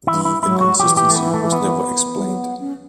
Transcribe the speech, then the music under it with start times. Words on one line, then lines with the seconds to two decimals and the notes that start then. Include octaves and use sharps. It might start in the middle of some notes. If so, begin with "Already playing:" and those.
The inconsistency was never explained.
0.07 E3 E4
0.25 E4
0.43 F#3 E4
0.61 F#4
0.79 E3 G4
0.97 G4
1.10 A3
1.16 B3
1.34 A3
1.52 B3
2.17 G3
2.25 F#3
2.60 C#4